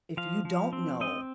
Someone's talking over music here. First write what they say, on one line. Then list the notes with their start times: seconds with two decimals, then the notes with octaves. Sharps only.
if you don't know
0.17 F3 F5
0.45 F3
0.73 C4
1.01 C4 D#5